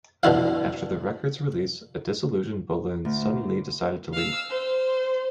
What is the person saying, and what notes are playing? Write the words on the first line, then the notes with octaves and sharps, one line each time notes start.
After the record's release, a disillusioned Bolin suddenly decided to leave.
B2 D3 E4 F5
D2
F5 E6
C5